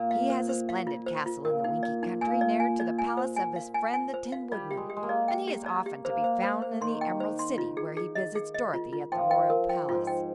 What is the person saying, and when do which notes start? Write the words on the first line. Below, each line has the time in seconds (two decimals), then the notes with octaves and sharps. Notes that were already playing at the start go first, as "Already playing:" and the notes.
"He has a splendid castle in the Winkie Country, near to the palace of his friend the Tin Woodman, and he is often to be found in the Emerald City, where he visits Dorothy at the royal palace."
Already playing: A#2
0.11 F5
0.30 C5
0.49 C5
0.69 F5
0.87 F4
1.06 C5
1.26 F4
1.45 A#2 A#4
1.64 D#4
1.83 D5
2.03 D#4
2.21 A#2 G#5
2.41 D5
2.60 G#5
2.80 D5
2.99 G#5
3.17 C5
3.37 G#5
3.56 F5
3.74 G#5
3.94 G#5
4.14 C5
4.32 F5
4.51 G3 D5
4.71 G4
4.77 G#3
4.90 G4
4.97 G#3
5.03 A#3
5.09 D5
5.28 G5
5.47 G4
5.66 D5
5.86 G4
6.05 A#3 C5
6.24 C5
6.44 C5
6.62 C5
6.81 D#3 C6
7.01 G5
7.20 C5
7.39 C6
7.58 F4
7.77 G#4
7.97 G#4
8.15 D#5
8.35 G#4
8.54 D#5
8.73 F4
8.93 F4
9.12 F3 G5
9.31 G5
9.50 A#4
9.69 G5
9.89 G#2 F4
10.07 G5